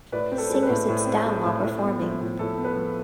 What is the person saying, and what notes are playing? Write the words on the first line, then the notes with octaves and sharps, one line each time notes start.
Singer sits down while performing.
A2 B4 D5
C4
A4 C5
G#3 A4
B4
A2
A2
C4
G#3
A2
A2
B3
F3
A2
A2 A4
B3
B4
F3